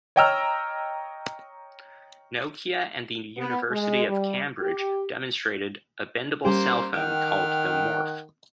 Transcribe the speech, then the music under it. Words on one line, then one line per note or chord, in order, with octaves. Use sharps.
Nokia and the University of Cambridge demonstrated a bendable cell phone called the Morph.
C#5 D#5 G5 A#5 E6 F6
B3
G#3
G3
G4
G3 A#3 C#4 G4 C5
D#3 F#5 G5 F6 G6 D7